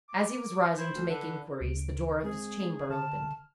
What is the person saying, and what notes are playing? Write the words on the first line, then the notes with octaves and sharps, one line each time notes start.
As he was rising to make inquiries, the door of his chamber opened.
D6
E4 C5
D2
D3 B4
D2 C#3 D7
G#3 C4 G#4
D3 A5 F6